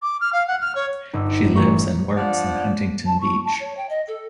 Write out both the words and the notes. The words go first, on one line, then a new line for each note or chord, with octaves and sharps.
She lives and works in Huntington Beach.
D6
F6
F5
F#5
F6
C#5
G1 D#4 E6
A#2 E3 A3 A#5 C#6 A#6
F3 D4 D5 F#5
A5
C#6
A5
C#5
G5
D#5
A4